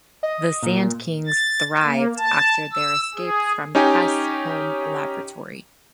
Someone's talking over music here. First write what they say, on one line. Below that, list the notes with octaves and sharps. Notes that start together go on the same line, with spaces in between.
The Sandkings thrived after their escape from Kress' home laboratory.
D#5
A#2
A6
A#3
A5
E6
G#4
C#4 D#4 G4 G#5